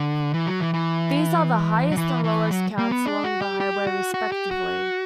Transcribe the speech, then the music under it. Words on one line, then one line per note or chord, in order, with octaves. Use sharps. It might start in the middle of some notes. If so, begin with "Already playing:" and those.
These are the highest and lowest counts along the highway, respectively.
Already playing: D3
E3
F#3
E3
E3
F#3
E3
E3
F#3
A#3
B3
D4
F#4
G4
G4
F#4
F#4
G4
F#4